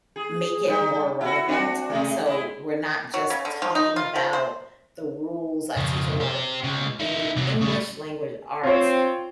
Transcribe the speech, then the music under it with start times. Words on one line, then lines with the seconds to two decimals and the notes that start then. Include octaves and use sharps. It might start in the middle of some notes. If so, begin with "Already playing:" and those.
make it more relevant, so, we're not just talking about the rules I teach a lot of, uh, Engl English, Language Arts,
0.16 G#4
0.68 G3 D#4
1.21 E4 F#4
1.48 C4 D4 F#4
1.90 C3 G#3 A3
2.25 G#3 E4
3.14 F#3
3.30 C#3
3.45 D3
3.62 F3
3.75 D#4
3.96 F4
4.16 F3
4.33 C5
5.77 F2 C#3
6.20 G4 C5
6.64 C#3 G#3
7.00 D#4 E4
7.37 C3 F#3
7.61 C#3 A3
8.63 C4 F4 C#5